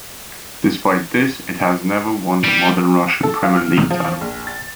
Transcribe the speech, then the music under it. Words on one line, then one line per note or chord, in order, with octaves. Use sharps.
Despite this, it has never won the modern Russian Premier League title.
G3
A4
F4
F6
F3
A#1
A6